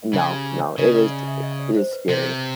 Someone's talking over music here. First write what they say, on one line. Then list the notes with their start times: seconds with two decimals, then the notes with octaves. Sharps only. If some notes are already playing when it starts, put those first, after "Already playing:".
No, no, it is it is scary.
0.14 C#3
0.29 G4
0.45 G#4
0.61 C#5
0.78 C#3 D#5
0.94 D#5
1.10 D5
1.27 E5
1.43 D#5
1.60 D5
1.77 C5
1.93 B4
2.09 C3 C5